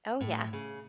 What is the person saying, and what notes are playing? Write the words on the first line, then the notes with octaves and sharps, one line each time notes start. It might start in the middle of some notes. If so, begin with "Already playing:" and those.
Oh, yeah.
A2
C#3